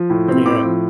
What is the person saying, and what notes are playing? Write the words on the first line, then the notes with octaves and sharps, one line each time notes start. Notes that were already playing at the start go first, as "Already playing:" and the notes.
Let me hear it.
Already playing: F3
A2
C4
A2 D6
F3